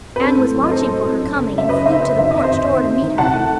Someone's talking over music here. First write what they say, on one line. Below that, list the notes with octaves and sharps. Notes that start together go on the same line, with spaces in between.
Anne was watching for her coming and flew to the porch door to meet her.
B4
C4 A4
A2
F#3
D#5
A2 A4 C5
C4
C4
F#2
F#1
F#2
E5
F#1 B4 D#5
F#1 C5 E5
F#1 B4 D#5
D#3 E5
C4 D#5
C5 E5
D#2
C4
C4
D#3
C2 F#5 A5
A3